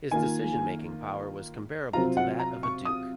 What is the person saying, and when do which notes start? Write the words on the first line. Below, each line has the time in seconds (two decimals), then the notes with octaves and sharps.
His decision-making power was comparable to that of a Duke.
0.11 D#3 A#3 F4 G#5
1.93 C3 F#3 C4 F4 A#5
2.17 F#5
2.39 A#5
2.63 C#6
2.85 D#6